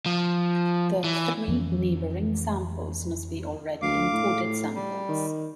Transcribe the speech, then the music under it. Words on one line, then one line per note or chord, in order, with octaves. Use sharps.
The three neighboring samples must be already encoded samples.
F3
E3
F2 E3 C#4
D2 F5 D6
A2
G3
D#3